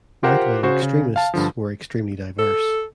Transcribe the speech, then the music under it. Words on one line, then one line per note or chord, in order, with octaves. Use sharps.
Right-wing extremists were extremely diverse.
F4 G4 A#4 C5 F#5 G5
C#3 F#4 C5
C#3
F5 A5
G2 D3 F3
A4